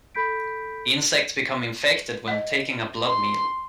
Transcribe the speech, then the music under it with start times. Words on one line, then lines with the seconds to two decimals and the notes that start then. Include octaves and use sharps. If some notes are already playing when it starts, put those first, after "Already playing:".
Insects become infected when taking a blood meal.
0.15 A4 B5 G6 B6 D7
2.28 D#5 F#5
3.05 C6